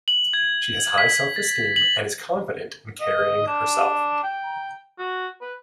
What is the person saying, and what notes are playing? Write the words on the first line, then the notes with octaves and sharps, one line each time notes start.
She has high self-esteem and is confident in carrying herself.
F#7
G#6
B6
A6
F#7
D#5
D4
G5
F#4
B4